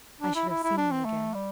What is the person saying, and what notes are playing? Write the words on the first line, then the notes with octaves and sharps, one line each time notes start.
"I should have seen you again."
D4
E4
E4
E4
D4
C4
A3
G3